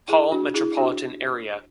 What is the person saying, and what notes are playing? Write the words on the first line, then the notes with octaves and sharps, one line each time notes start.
Paul metropolitan area.
E4 G#4
D4 F#4
E4 G#4
D4 F#4